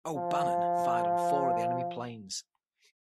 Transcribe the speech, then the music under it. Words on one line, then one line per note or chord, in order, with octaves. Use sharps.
"O'Bannon" fired on four of the enemy planes.
F3